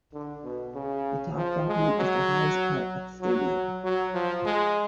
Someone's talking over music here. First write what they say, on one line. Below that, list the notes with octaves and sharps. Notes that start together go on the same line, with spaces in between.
The Top Balcony is the highest part of the stadium.
D3
B2
C#3
F3
G#3
F#3
F#3
F#3
F3
G#3